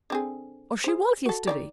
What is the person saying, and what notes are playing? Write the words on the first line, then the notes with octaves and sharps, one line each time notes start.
Or she was, yesterday.
D3 C4 G#4
G#4 C5
F#4 A4
D#3 G#3 D5